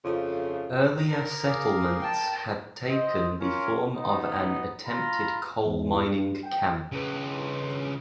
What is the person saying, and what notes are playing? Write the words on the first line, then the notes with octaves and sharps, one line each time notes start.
Earlier settlements had taken the form of an attempted coal mining camp.
F2 C#3 A3 F4
A#4
G#4 D5 F5
G5 A5
C4 D#5
C#4 F4 A#4
B3 D#4
F4 A#5 B5
E2
G2
G5
C#3 B4